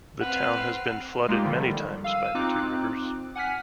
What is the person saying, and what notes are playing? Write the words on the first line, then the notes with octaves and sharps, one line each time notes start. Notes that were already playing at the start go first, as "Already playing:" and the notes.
The town has been flooded many times by the two rivers.
C4 B4 F#5 F6 C7
G#3 A#3 D#4 F4 G4
D3 D#3 F3 G3
F5 E6 D#7
C4 D#4 F4 D6 F#6
F#5 G#5 F6 B6